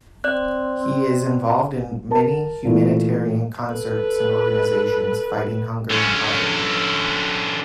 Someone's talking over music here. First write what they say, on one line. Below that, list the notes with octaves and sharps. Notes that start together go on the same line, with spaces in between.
He is involved in many humanitarian concerts and organizations fighting hunger and poverty.
C4 D5 F#6
A#4 A5
A#2 E3 A3
A4 B4
D3 C#4